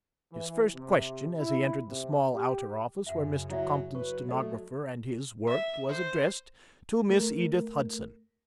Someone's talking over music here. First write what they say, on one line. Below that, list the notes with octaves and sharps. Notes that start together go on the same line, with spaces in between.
His first question, as he entered the small outer office where Mr. Compton's stenographer and his worked, was addressed to Miss Edith Hudson.
E3
C3
E4
C3
G4
F#2 C#3 E5 F#5
F#3 E4 D5 E5
F#3 B4 C#6
A3 A4 D5 D#5
E5
C5
A3 A#4